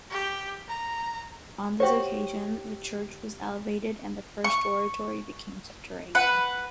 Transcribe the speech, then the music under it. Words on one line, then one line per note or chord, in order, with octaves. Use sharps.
On this occasion, the church was elevated and the first oratory became subterranean.
G4
A#5
F#4 G4 C5 C#5
C#6
B4 F#5